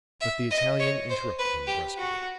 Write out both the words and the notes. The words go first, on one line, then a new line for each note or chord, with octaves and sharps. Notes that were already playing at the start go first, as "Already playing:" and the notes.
But the Italian interrupted him brusquely.
E5
D#5
C#5
C5
B4
G4
F#4